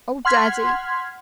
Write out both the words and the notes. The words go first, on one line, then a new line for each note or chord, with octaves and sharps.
Oh, daddy!
F#5 C6 F6 G#6 B6